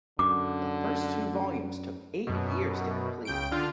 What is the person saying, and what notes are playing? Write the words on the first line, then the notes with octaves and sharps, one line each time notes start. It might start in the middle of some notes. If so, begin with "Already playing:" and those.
The first two volumes took eight years to complete.
F#2 D3 D6
F#2 B2
C#2 G5 D7
D3 F4